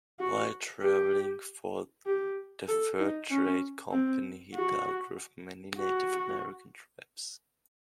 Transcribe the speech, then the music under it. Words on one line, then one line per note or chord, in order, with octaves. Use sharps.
While traveling for the fur trade company he dealt with many Native American tribes.
F#4
G4
G4
A4
D#4
C#4
C4
F#4
F#4